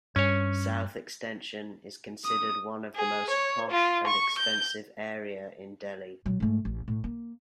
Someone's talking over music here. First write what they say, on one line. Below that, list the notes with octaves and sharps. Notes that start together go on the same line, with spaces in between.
South Extension is considered one of the most posh and expensive area in Delhi.
G2 C#4 C#5
D#6
G#4
C#5
F4
C#6
G6
A#2 F#3
G#2 A3
A1
A2
A#3